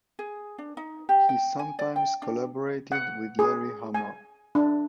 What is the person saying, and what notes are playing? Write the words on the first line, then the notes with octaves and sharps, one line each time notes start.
He sometimes collaborated with Larry Hama.
G#4
D4
D#4
G4
G5
G#5
D5
G5
D4
F#5
G#4
G#5
D4